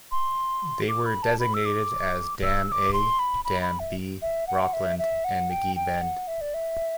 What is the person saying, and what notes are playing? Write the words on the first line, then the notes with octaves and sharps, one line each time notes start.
They were designated as Dam A, Dam B, Rockland, and McGee Bend.
C6
D6
B5
A5
B5
E6
D6
E6
E6
D6
C6
B5
B5
B5
E5
E5
F#5
E5
E5
F#5
G5
G5
F#5
E5
D5
E5